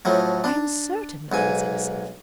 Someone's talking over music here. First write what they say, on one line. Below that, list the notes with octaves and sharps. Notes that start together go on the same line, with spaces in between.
I am certain that he is innocent.'
A2 F3 F#3
D4
B1 G#2 G#5